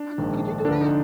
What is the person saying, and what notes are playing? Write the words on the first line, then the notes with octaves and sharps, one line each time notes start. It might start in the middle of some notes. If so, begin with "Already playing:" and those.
I cou Could you do that?
Already playing: D4
A#1 G#2 D#3
D2 D3 F3 D4
D#4